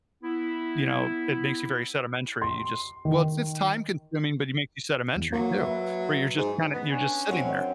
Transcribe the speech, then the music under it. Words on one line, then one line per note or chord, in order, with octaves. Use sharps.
you know, it makes you very sedimentary, you just well, it's just time consuming but it makes you sedimentary too, where you're just kinda you're sitting there,
B3 E4
C6
D#3
E2
F#3 A#3
B4 E5
G#2 D#4
B3
C#4 D4
F#2 F#3 C4